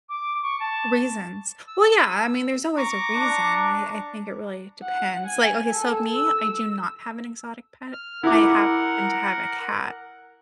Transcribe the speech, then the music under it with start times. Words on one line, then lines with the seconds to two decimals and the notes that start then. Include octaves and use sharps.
Reasons. Well, yeah. I mean, there's always a reason. I I think it really depends. Like, okay, so me, I do not have an exotic pet. I happen to have a cat.
0.09 D6
0.42 C#6
0.60 A5
1.68 E6
2.77 A#5 C#6 D6
3.15 D4
4.82 F#5
5.26 G#5
5.71 A4
6.13 E6
7.93 F6
8.23 E4 A#4 F#5 D6